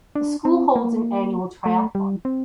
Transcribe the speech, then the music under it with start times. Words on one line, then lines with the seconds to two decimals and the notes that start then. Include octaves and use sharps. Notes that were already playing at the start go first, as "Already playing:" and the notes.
The school holds an annual triathlon.
0.15 D4
0.45 C4
0.76 A#3
1.66 A3
1.95 G3
2.25 C4